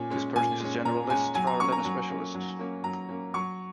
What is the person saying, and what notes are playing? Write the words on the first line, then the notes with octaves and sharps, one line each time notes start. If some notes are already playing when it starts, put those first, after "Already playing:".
This person is a generalist rather than a specialist.
Already playing: A#2 C#4 G#5
G#3 C#4
A#2 G#5
G#3 C#4
A#2 A#5
G#3 C#4 G#5
F#3 G#5
A#5
A#3 C#4 C#6
A#5
F#3 A#5
A#3 C#4
F#3
A#3 C#4
F#3 A#5
A#3 C#4
F#3 C#6